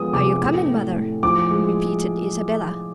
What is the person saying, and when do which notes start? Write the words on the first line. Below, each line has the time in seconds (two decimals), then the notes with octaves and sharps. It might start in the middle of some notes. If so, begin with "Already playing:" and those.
"Are you comin', mother?" repeated Isabella.
Already playing: F3 G#3 B3 D#6
0.13 C3 D6
0.40 A2
0.68 A2
0.95 A2
1.23 F3 D6
1.51 G#3